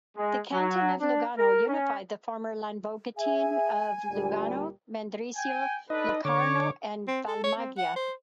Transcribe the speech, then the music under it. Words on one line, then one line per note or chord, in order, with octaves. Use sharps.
The canton of Lugano unified the former Landvogteien of Lugano, Mendrisio, Locarno and Valmaggia.
G#3
F#3
D4
A#4
C#4
G#4 E5 G#5
D2 A#2 G3
G5 G#5
D4 D#4 A4 B4 D#5
D3 C#5 D6
C4
A4
C#5
C4
F#5
C5